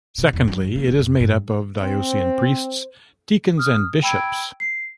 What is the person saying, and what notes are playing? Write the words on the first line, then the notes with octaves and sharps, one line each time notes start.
Secondly, it is made up of diocesan priests, deacons, and bishops.
B2
E2
F#3
G1
A#3
D#1
F2
G2
C4 C5
D#6 F6
G5 B5 E6 G#6 D7
C7